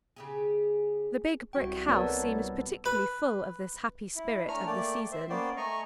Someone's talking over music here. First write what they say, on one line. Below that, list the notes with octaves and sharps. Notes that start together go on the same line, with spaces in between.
The Big Brick House seemed particularly full of this happy spirit of the season.
C#3 G4 G#4
C2 B2 F#4 G5
B3 A4 A#4 C#5 D5
B4
E4
A3 D4 C#5 G#5 A#5 F6
A3 A#3 D5 G5
C5 E5
A#3 B3 C#4 C5 D5 G5
A3 D#5 G#5 A#5 C#6